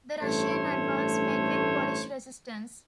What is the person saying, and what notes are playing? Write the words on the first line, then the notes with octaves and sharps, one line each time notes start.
The Russian advance met with Polish resistance.
A1 G2 A3 A4 C5 C#5